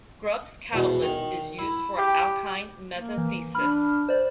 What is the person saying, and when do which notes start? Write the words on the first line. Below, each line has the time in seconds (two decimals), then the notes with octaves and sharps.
Grubbs' catalyst is used for alkene metathesis.
0.73 E2 B2
1.02 D#3
1.59 E4
1.98 G4
2.93 A#3
3.18 E3
3.55 D4 B5 F6
4.09 C5 D5